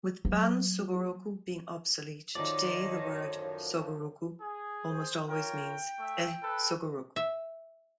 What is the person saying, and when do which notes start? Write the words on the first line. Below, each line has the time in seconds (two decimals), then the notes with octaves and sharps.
With "ban-sugoroku" being obsolete, today the word "sugoroku" almost always means "e-sugoroku".
0.25 F#3 A#3
2.35 F#2 A2 D#3 F3 D#4 C#5 D5
4.42 G#4
4.88 C5
5.28 F4 A#4 C#5 G5
5.99 A3 E5
6.43 A4 B4
7.16 E5